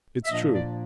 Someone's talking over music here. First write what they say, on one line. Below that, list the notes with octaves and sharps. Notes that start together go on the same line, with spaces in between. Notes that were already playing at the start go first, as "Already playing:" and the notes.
"It's true."
E5
A#2 F3 A#3 D4 D#5
D5